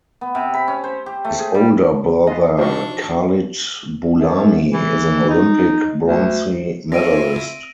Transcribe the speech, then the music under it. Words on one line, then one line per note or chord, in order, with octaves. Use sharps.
His older brother Khalid Boulami is an Olympic bronze medalist.
B3
C3
B5
C#4
C5
G4
A3
G#4
G3
B3 F4 G#4 D#5
E3 F3 D4 D#4 F4 F#4 C#6
F#2
E3
D#4
D2
C4 E4 F4 D5 E5 A#6 D7 D#7